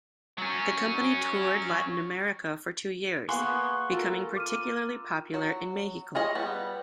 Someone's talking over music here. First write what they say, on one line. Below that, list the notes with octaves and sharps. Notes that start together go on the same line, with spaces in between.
The company toured Latin America for two years, becoming particularly popular in Mexico.
F#3 C#4
A#3 B3 G#4 G#5 C6 C#6 F#6
F4 A4 A#4
D6 F6 D#7
F#3
F4 G#4 C#5 D#5 G#5
G3 B3